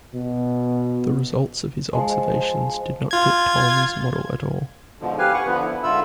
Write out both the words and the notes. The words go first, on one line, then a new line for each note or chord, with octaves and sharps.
The results of his observations did not fit Ptolemy's model at all.
B2
F3 G#3
F4 G#6
G#2 B2 D3 F3
G4 B4 F5 G#5
B4 F#5 C#6
D3 F3 B3
E4
G#2 D3 F4 E5 B5 E6